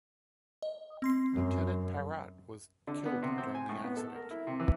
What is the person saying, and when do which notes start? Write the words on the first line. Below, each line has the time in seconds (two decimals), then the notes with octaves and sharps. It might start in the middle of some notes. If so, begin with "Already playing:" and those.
Lieutenant Parrott was killed during the accident.
0.62 D#5
1.02 C4 C6 C7
1.35 F#2
2.87 D3
3.06 B3
3.23 C3
3.38 C4
3.55 G#5
3.69 A2
3.84 B3
3.97 A4
4.15 A#4
4.31 E4
4.47 C3
4.60 E3